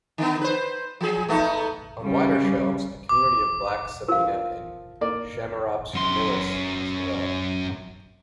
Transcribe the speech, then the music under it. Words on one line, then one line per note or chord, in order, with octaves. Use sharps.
On wider shelves, a community of Black Sabina and "Chamaerops humilis" has developed.
D3 B3
B4 C5
F3 G#4
A3 B3 D#4
C#3 G3
D6
F3 A#4 F5
A#3 D5
F#2 C6